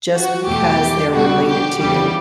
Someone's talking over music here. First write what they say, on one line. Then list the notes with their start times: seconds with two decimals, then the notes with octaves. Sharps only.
just because they're related to you.
0.14 F#4
0.46 E2 B2 A3 G4
1.14 B2 G3 F#4
1.47 G4
1.80 E2 C#3 E3 G3 G4